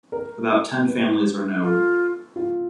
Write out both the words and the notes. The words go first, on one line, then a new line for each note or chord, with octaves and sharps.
About ten families are known.
A#4
B4
F4 A4
F4